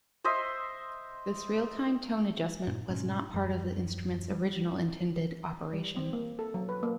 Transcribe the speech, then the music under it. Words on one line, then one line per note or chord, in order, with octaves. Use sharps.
This real-time tone adjustment was not part of the instrument's original intended operation.
C5 D#5 E5 C6
G2 A#2
G#2 B2 G#3 C#4
D#1 F#2 F3 G3
G3
G3
C4
A#3
A4
F#3
B4
A#3